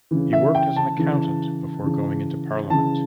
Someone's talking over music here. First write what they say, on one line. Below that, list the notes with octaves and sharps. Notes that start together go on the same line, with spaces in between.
He worked as an accountant before going into parliament.
C#3 E3
E5
G5
A5
C#3 E3
C#3 E3
C#3 E3 A5